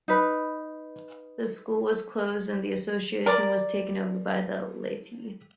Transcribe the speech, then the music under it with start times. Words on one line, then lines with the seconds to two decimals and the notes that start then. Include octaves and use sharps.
The school was closed and the association was taken over by the laity.
0.08 D#4 B4
3.26 A#4 D5